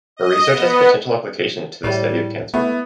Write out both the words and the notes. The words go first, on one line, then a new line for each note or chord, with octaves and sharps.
Her research has potential applications to the study of cancer.
D#5
B3
A2 G3
A3 B3 E4